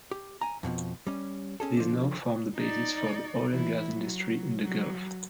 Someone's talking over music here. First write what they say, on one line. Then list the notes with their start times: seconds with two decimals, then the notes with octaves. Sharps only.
These now form the basis for the oil and gas industry in the gulf.
0.11 G4
0.41 G#5 A#5
0.63 F2 B2 E3 F3
1.07 G3 C#4
1.60 C#4 G#4 A4
1.77 D3 F3
2.56 D#4 D5
3.50 E3 E4
3.93 F#3
4.62 F#3